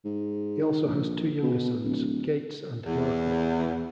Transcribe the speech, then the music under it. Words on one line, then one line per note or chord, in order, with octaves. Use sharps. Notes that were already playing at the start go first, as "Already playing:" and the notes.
He also has two younger sons, Gates and Marco.
G#2
D#3
A#1
B2
D1
E2